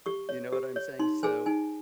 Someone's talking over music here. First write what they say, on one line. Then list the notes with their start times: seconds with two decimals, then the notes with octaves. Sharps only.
You know what I'm saying, so
0.06 G4 C#6
0.29 C#5
0.53 G4
0.76 C#5
0.99 D#4 C6
1.23 G#4 C5 G#5
1.46 D#4 G#5